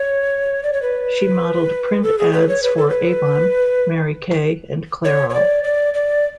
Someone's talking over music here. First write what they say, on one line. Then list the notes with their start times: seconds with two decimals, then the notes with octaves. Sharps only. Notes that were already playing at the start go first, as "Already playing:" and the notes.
She modeled print ads for Avon, Mary Kay, and Clairol.
Already playing: C#5
0.63 D5
0.73 C#5
0.82 B4
2.03 A4
2.18 G#4
2.33 B4
2.49 C#5
2.63 B4
2.77 A4
2.90 B4
5.05 C#5
5.29 C#5
5.34 D5
5.64 D5
5.94 D5